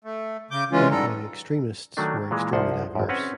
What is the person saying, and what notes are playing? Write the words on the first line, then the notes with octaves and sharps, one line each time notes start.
Right-wing extremists were extremely diverse.
A3
C#3 D6 G6
E3 G#3 C#4 F4
G#2 G3 A4 A#5
D#3 F#3 A3 D4
A#2 E3 G#3
C2 F3 C5 F#5
G#1 F#2
C4 C#4 B4 C#5 F#5